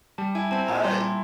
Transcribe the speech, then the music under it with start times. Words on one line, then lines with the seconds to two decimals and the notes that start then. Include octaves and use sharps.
uh, it
0.18 G3 A5
0.35 E4 G#5
0.51 C4 A5
0.68 A#2 A#5
0.85 G3 C6
1.00 E4